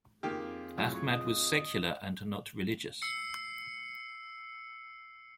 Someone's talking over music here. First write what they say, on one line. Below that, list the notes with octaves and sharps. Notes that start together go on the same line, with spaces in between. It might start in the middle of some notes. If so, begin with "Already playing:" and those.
Ahmad was secular and not religious.
F2 D#3 A#3 F4 G4 G#4
A2 F#3
C#5
D#5
E6 C7 C#7